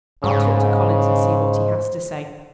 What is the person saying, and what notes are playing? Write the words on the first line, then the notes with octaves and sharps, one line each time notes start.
I'll talk to Collins and see what he has to say.
G#2 C#3 C5